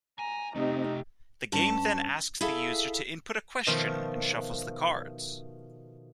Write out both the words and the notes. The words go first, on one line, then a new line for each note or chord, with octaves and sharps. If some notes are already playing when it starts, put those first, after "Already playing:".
The game then asks the user to input a question, and shuffles the cards.
G#5 A#5
C3 A3 C4 D#4 G4 D#5 E5
G2 C#4 A5
E4 G#4 A4 E5 F5
B2 D#3 F3 A3 F4